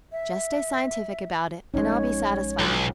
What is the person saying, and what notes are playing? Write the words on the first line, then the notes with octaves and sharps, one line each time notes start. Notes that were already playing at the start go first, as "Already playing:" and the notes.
Just stay scientific about it and I'll be satisfied.
E5
A#1 F3 G#3 C#4 D#4 C#5
B1 F#3 F4